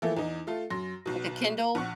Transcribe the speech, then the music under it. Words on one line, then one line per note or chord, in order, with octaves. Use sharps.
Like a Kindle?
E3 F3 A3 A#3 E4 A4
E2 D#4
A3 F4 A4
F#2 C6 A#6
B1 B2
A#1 F#5 C#6 F#6